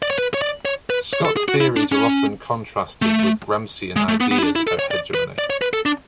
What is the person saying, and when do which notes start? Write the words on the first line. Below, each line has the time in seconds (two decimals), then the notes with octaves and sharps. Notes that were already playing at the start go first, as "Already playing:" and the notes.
Scott's theories are often contrasted with Gramscian ideas about hegemony.
0.02 D5
0.11 C#5
0.18 B4
0.34 C#5
0.42 D5
0.65 C#5
0.90 B4
1.13 C#5
1.25 A4
1.37 G#4
1.48 F#4
1.60 E4
1.77 D4
1.92 C#4
3.02 A3
3.96 G#3
4.09 A3
4.20 B3
4.31 B3
4.39 E4
4.43 D4
4.56 E4
4.67 A4
4.79 C#5
4.91 D5
5.15 B4
5.39 D5
5.50 C#5
5.62 B4
5.73 A4
5.86 D4